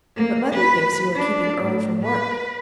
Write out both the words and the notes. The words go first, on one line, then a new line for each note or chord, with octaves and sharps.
"But mother thinks you are keeping Earle from work."
A#3
B4
D4
A2
B4